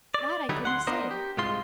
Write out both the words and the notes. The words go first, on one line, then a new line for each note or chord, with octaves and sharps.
"That I couldn't say."
D5
D3 F#3 G3 B3 D#4 E4
D2 F#5 C6
B3 D4 A#4 C5 D#5
G4
C2 G#2 G#3 F4 C6